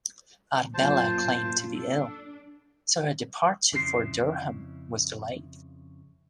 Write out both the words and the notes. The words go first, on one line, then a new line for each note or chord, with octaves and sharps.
Arbella claimed to be ill, so her departure for Durham was delayed.
F#2 A#2 F4 C5 A5
D4 A4
F2 C#3 E4 A4 C6